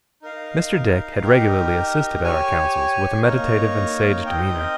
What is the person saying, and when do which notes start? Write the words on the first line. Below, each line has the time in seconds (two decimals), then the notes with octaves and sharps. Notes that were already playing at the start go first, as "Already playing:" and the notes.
Mr. Dick had regularly assisted at our councils, with a meditative and sage demeanour.
0.22 D#4 A#4 F5
1.22 D#4 G4 A#4
2.23 G4 C#5 G#5
3.24 A#3 D#4 A#4 C#5
4.25 C4 D#4 A#4 D#5 G5